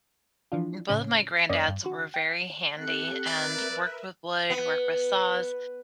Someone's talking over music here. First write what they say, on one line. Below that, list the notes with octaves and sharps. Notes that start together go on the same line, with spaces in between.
both my granddads were very handy and worked with wood, worked with saws.
E3 F3 D4 F4
A2 C#3 C#4
F#2 A#3 C#4 D5 D#5
G2
D3 F#4
G5 G6
C4 G4 A4 F#5 F#6 C#7
A#4 B4 D5 E5
B3